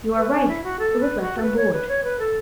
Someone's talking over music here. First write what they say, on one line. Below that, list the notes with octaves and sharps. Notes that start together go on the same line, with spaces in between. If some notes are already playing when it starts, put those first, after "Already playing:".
"You are right; it was left on board."
B4
C#4
E4
F#4
A4
B4
F#4
A4
B4
C#5
B4
C#5
B4
A4